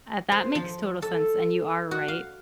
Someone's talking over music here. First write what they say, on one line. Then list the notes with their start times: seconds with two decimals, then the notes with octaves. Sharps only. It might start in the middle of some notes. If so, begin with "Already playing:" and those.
Ah, that makes total sense. And you are right
0.32 C5
0.55 F3
1.02 A4
1.91 F#4
2.08 F5